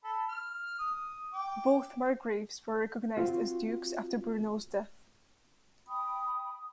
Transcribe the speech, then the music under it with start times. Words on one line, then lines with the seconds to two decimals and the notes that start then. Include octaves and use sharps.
Both margraves were recognised as dukes after Bruno's death.
0.04 A4 B5
0.29 F6
0.78 D#6
1.33 G5 D6
3.17 C4 F4 F#4
5.88 G5 B5 D#6